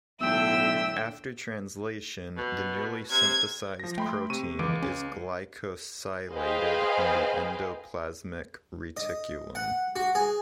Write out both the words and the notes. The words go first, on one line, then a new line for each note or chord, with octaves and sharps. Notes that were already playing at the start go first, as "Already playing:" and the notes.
After translation, the newly synthesized protein is glycosylated in the endoplasmic reticulum.
B1 A2 D3 E5 G5 E6
B2
C3 G#6
F3 A#6
A3 G5 B5 C6
C3 C#6 D#7
C#2 E3 D6 D7
C#4
G#4 B4 C5 D#5 F5 G5
D#5
F#5
F#4
G#4